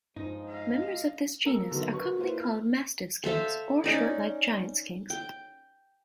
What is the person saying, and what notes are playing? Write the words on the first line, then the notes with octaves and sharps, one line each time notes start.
Members of this genus are commonly called mastiff skinks or short-legged giant skinks.
G2 F3 G#3 D#4
D#5 F5
A#3 A#5 E6 C#7
B2 D3 D#3 F#3
A#4 B4 C#6
A#3 E4 F4 B4 C5
F6
A4 C5 E5 F5
C#4 D#4 D5
G5